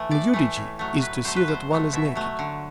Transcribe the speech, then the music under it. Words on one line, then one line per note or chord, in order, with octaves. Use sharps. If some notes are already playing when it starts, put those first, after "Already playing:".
Nudity is to see that one is naked.
Already playing: E3 A3
A2 D5
E3 A3
A2
F#3 A3
A2 B4
F#3 A3 C5
B4
B2 C5
F#3 A3
B2 E5
F#3 A3
D3